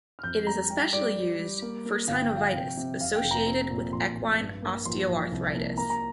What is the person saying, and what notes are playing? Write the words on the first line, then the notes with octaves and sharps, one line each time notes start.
It is especially used for synovitis associated with equine osteoarthritis.
F6
F2 G6
G3 A#5
G3 G5
G3 D5
G3
G3
A#3
A#3
G1 F5
G5
F5
F3 G5
F5
C3 G5
C3
F1 F5
G5
F1
A#5
C4
A#2
A#1 C6
A#1
G2
A#3
A#1 C6
A#1
C2
A#3
A#3 A#5
A#5